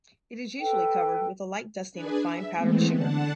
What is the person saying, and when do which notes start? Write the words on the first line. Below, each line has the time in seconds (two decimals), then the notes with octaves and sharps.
It is usually covered with a light dusting of fine powdered sugar.
0.59 A4 B4 G5
1.92 D4 G#4 B4 G#5
2.22 E5
2.55 E3 G#3 A3 B3 C4
2.92 D3 D4 F#5 A5